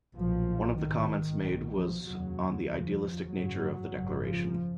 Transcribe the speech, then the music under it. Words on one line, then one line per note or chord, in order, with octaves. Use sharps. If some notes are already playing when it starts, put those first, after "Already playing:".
One of the comments made was on the idealistic nature of the Declaration.
B1 A#2 F3
G#1 G#2 D#3
B1 B2
F3
F1 D#2 C#3 F#3
F1 D#2 C#3 F3
G#1 F#2 C#3 F#3
G#1 F#2 C#3
F3